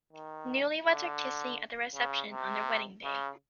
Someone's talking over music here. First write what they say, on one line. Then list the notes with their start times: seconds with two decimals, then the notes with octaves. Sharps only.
Newlyweds are kissing at the reception on their wedding day.
0.13 D#3
0.86 D3
1.95 C#3
2.31 C3
3.04 C#3